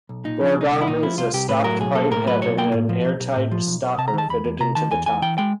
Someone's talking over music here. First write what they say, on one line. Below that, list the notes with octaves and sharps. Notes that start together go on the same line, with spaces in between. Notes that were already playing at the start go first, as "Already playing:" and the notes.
Bourdon is a stopped pipe, having an airtight stopper fitted into the top.
B1
A#2 D#4
F3 D4
C2
D#4
D4
C2
E4
A#2 D#4
F3 E4
C2 F4
C2 G4
A2 B4
F#3 A#4
B1 G#4
A#3 A4
A2 A#4
F#3 B4
B1 C#5
A#3 G5
A2
F3
B1
B1
A2
F3
B1
B1
C3 A5
A#5
D#3 A5
E2 B5
E2
C3 A#5
D#3 A5
E2 G#5
E2 G#5
E3 G5
G#3 G5